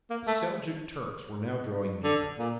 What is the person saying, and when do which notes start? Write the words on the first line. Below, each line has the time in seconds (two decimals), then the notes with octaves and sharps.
The Seljouk Turks were now drawing near.
0.10 A#3
0.27 A3
2.04 D3
2.39 A#2